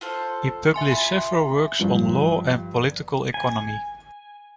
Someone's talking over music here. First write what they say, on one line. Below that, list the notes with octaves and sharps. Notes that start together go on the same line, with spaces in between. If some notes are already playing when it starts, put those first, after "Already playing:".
He published several works on law and political economy.
F4 A4 C5
E5 G#5 C6
F4 B5
G2 F3
G#5